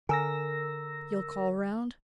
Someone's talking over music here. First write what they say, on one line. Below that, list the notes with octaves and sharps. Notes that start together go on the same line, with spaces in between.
"You'll call round?"
D3 A#4 G#5 E6 A#6